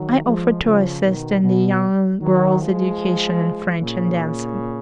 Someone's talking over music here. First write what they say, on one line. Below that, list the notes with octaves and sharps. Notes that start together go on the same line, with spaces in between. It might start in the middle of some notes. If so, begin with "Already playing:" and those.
I offered to assist in the young girl's education in French and dancing.
Already playing: D#3 F#3
F3 G#3
C#3 F3
B2 D#3
B2
D#3 F#3
F3 G#3
A#2 C#3